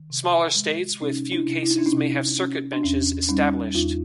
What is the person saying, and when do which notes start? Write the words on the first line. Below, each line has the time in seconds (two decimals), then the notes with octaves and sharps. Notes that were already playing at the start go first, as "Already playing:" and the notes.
Smaller states with few cases may have circuit benches established.
Already playing: D#3
0.10 C3
0.55 G#3
1.01 C3 C#4 D#4
1.32 D4 E4
1.47 C3
1.63 E4
1.71 D#4
1.78 D4
1.86 C#4 D#4
1.93 C3
2.39 C#4
2.73 D4
2.83 E2 C#4
3.29 G3 C#4 D#4
3.75 E2 D#4 F4